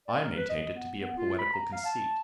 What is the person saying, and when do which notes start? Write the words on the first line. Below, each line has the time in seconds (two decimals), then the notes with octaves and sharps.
I maintained it to be a poetical conceit.
0.08 D5
0.22 A#4
0.37 B4
0.49 D#5
0.74 B3
1.00 B3
1.17 F4
1.39 B5
1.53 A#5
1.72 F5
1.85 A5